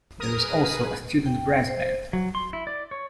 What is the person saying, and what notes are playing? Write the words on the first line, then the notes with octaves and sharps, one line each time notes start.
There is also a student brass band.
G#4 A#4 B4 D#6
G5
C5
F#3
C6
E4
D5
C#5